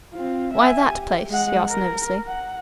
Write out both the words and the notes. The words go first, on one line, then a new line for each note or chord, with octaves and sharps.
"Why that place?" he asked nervously.
C4 F4
E5 G#5
G4
G#3 F#5
A#4
F#5